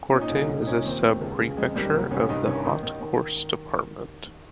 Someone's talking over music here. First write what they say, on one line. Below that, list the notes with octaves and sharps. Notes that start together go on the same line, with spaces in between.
Corte is a subprefecture of the Haute-Corse department.
A#2 C#4
D#4
C#4
C2
C2 D#4
D#4
A#2 C#4
D#2 C4
D#2
C#2
C#3
F2 G#3
D#3 G3
C2 A#3
C2 C#4
G2 D#4
D#3 C#4
D#3 D#4
D#3
D#3